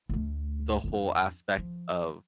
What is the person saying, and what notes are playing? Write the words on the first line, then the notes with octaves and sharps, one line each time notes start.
the whole aspect of
D2 A3
F2 D4
F3